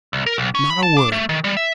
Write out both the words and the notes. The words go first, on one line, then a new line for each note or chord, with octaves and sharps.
Not a word.
C2
A#4
B1
C#4
B5
A5
D4
A3
D#3
G3
E5